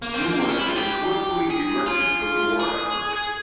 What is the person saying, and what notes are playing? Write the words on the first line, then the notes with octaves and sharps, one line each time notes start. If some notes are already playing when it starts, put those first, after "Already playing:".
New ones were swiftly erected for the war effort.
A#3
C4
A#3
C4
C#4
E4
F4
G4
G#4
F4
G#4